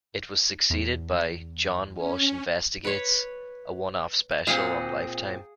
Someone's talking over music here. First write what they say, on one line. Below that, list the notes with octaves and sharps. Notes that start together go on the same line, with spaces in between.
It was succeeded by "John Walsh Investigates", a one-off special on Lifetime.
E2
C#4
B4 C#5
A#2 C4 G#4 F5 F#5